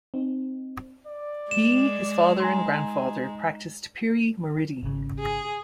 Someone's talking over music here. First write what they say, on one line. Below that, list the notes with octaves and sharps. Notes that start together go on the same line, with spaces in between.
He, his father and grandfather practised piri-muridi.
C4 D#4
D5
G#3 E7
D#4 G#5 A#5 C6
G#1 C#3
G#4